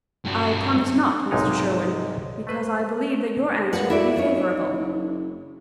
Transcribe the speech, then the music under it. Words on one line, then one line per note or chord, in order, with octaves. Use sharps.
"I promise not, Mr. Sherwin--because I believe that your answer will be favourable."
G2 F#4
B1 G#2 C3 G#3 D#4 A#4
A3 B4 C5
A#2 G#4 B4 F#5
E4 F#4 D5
D4 D#4 C#5
F#1